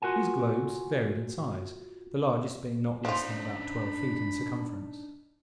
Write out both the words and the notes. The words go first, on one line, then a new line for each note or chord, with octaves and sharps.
These globes varied in size, the largest being not less than about twelve feet in circumference.
F4 F#4 A#4 F#5 G#5
F3 D4 D#4 F4 B5